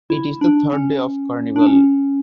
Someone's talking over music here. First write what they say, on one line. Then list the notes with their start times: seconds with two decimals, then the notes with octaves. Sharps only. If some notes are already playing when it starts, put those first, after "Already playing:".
It is the third day of Carnival.
0.10 E4
0.41 D4
0.73 C#4
1.56 D4
1.66 C#4